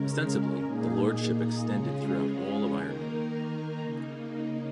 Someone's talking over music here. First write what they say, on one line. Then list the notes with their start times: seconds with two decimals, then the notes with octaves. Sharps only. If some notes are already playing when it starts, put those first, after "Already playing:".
Ostensibly, the lordship extended throughout all of Ireland.
Already playing: C#3 G#3 C#4 A#4
0.63 A#2 A#3 D#4 G#4
1.69 C#3 G#3 C#4 F4 G#4
2.75 D#3 A#3 D#4 A#4
3.82 C#3 A#3 D#4